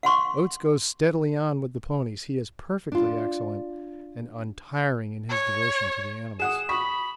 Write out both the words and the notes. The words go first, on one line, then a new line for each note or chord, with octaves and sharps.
Oates goes steadily on with the ponies--he is perfectly excellent and untiring in his devotion to the animals.
F5 F#5 C6 C#6
D4 F4
C#5
G#4 F#5 D#6 E7
B5 C#6 D#6 B6